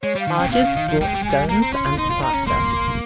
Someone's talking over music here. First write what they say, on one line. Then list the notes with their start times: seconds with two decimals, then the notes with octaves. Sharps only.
Barges brought stones and plaster.
0.03 G#3 C#5
0.15 G3
0.20 F5
0.27 D#3
0.36 C#3 G5
0.47 A#2
0.51 C3 F5
0.64 C#3
0.77 D#3
0.88 F3
1.01 G3 G5
1.08 G#3
1.15 G3
1.23 G#3
1.25 G3 G#5
1.49 A#3 A#5
1.62 C4
1.73 C#4 C6
1.86 F4
1.98 D#4 C6
2.10 F4
2.22 D#4 A#5
2.34 C#4
2.47 A#3 C6